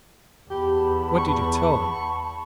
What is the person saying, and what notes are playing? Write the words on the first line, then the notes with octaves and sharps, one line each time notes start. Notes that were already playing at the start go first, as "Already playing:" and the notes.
"What did you tell him?"
E2 G4 A5 B5
C#6